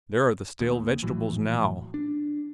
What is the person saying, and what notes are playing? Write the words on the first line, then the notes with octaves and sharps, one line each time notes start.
There are the stale vegetables now.
D#2
A#1 A2 E3 F#3
D4